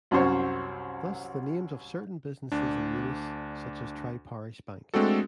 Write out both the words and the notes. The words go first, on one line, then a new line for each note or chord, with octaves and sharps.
Thus the names of certain businesses in Eunice, such as Tri-Parish Bank.
C2 F#2 F#3 C#4 C5 C#5
D2 D4
G#3 A3 C4 D4 F#4 A4